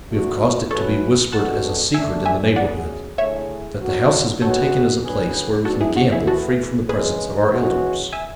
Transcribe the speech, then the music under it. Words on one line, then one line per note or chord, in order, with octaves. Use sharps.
We have caused it to be whispered as a secret in the neighbourhood, that the house has been taken as a place where we can gamble free from the presence of our elders.
A3 D4 F#4
F#3 C#4 E4 A4 B4 C#5
B2 G#3 D4 F#4 A4 F#5 A5
D3 A3 D4 E5 G#5
E5 G#5
B2 A3 C#4 G#4 D5 F#5
D3 A3 E4 G#4 C#5 E5
A2 F#3 C#4 F#4
D3 G#3 B3 F#4 A4 C#5
D3 F#3 C#4 G#4 B4
E3 B3 D4 F#4 A4
E4 G#4
F#4
E4 G#4
A3 E4 F#4 G#4 A4 B4
C#3 E3 G#3 G#4 B4
E3 G#3 C#4 F#4
E5 G#5